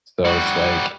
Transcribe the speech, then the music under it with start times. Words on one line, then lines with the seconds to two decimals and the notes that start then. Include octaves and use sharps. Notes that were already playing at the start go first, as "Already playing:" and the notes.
So, it's, like,
0.25 G3 F#4